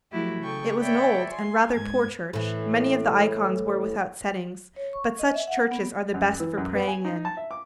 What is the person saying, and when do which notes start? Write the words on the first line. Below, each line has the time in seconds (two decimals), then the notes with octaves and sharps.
It was an old and rather poor church; many of the ikons were without settings; but such churches are the best for praying in.
0.11 F3 F#3 A3 E4 F#4 G4
0.41 C#3 A4 G5 C#6
0.78 C#5 D5 E5 G5 B5
1.29 G#5 C6
1.71 G#2 G#6
2.33 A2 E3
4.76 C#5
4.93 C#6
5.19 D#5
5.34 E5
5.47 F#5
5.71 B3
6.14 F#2
6.40 E3
6.57 F#2
6.75 B3
6.88 G#5
7.05 D#4
7.25 A5
7.37 E5
7.51 D6